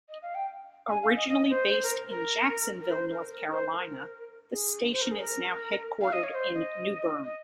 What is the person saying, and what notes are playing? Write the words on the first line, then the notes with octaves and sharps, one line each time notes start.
Originally based in Jacksonville, North Carolina, the station is now headquartered in New Bern.
D#5
F5
G5
G#5
F5
D#5
D#5
C5
C5
A#4
A#4
A#4
C5
A#4
A#4
C5
A#4
G#4
C5
A#4
G#4
A#4
F5
D#5
C#5
C5
D#5
D#5